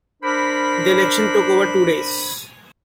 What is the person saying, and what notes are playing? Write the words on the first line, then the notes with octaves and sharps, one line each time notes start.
The election took over two days.
D4 A#4 C5 B5